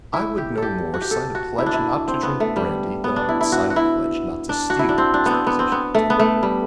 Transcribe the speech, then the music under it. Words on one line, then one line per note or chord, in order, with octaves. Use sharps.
"I would no more sign a pledge not to drink brandy than I would sign a pledge not to steal," was the position he took.
E4
G4
G4 A4
F#4
G4
A4
F#4
E4
D4
E4
C4
B3
A3
G3
B3
D4
E4
E4
F#4
F#4
E4
D4
F#4
E4
D4
C4
D4
B3 C4
B3
C4
B3
A3
B3
A3
G3